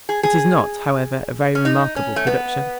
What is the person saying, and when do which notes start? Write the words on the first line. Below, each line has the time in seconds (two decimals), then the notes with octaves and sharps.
It is not, however, a very remarkable production.
0.09 G#4
0.23 G#4
1.55 C#4
1.65 D#4
1.96 C#4
2.16 A3
2.27 B3